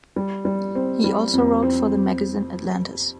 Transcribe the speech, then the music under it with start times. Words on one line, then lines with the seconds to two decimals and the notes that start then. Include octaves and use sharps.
He also wrote for the magazine Atlantis.
0.16 G3
0.45 G3
0.75 C4
1.04 G3
1.33 F2
1.63 C4